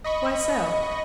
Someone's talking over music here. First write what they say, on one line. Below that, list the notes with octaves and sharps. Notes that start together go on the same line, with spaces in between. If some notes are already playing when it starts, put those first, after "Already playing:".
"Why so?"
D#5 B5 C#6